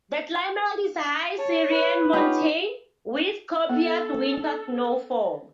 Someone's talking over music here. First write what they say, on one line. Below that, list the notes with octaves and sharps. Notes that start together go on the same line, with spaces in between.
The climate is high Sierran montane with copious winter snowfall.
C#5 A5
B4
B3 C#4 D#4 F4 G4 B5
B3 A4